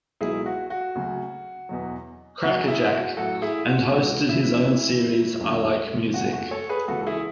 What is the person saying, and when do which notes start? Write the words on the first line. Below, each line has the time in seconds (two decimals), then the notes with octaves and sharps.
"Crackerjack", and hosted his own series "I Like Music".
0.21 C#2 B2 F#3 E4 G#4
0.46 F#4
0.70 F#4
0.95 D2 C#3 F#3
1.69 E2 B2 F#3
2.43 D2 C#3 F#3 F#4
2.68 E4 G#4
2.93 F#4
3.17 A1 A2 F#3 F#4 A4
3.42 E4 G#4
3.67 F#4
3.91 C#2 C#3 E3 F#4
4.29 E4
4.66 D2 C#3 E3
5.39 E1 D2 D3 F#3
6.14 D2 C#3 F#3 F#4
6.33 F#4
6.51 A4 C#5
6.69 G#4 B4
6.88 C#2 C#3 E3 F#4 A4
7.01 A4
7.07 E4 G#4